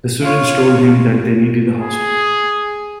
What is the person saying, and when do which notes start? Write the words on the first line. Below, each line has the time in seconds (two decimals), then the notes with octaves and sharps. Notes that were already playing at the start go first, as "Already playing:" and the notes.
The students told him that they needed a hostel.
0.22 F4 C#5
1.80 G#4